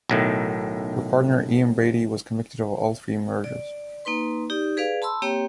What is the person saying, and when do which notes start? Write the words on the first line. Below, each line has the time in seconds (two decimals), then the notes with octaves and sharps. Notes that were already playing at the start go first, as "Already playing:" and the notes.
Her partner Ian Brady was convicted of all three murders.
0.10 B1 A2 D#3
3.44 D5
4.05 A#3 D#4 B4 C6
4.50 D#4 G4 D5
4.77 G#4 B4 D5 F5
5.02 A5 B5 C6 E6
5.22 A#3 C4 G4 C#5 G5